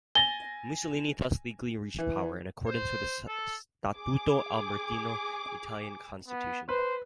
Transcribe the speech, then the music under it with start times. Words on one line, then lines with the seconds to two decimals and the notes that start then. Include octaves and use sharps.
Mussolini thus legally reached power, in accordance with the Statuto Albertino, the Italian Constitution.
0.15 G#5 A6 A#6 G7
1.99 E3
2.67 C5
3.27 A4
3.96 G#4 D6
6.28 B3
6.69 B4 C5